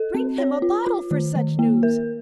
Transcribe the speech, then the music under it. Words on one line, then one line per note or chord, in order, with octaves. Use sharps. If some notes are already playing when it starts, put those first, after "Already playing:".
Bring him a bottle for such news!
Already playing: A4
C4
C#5
F4
F4
D#3
D#3
A#3
A#4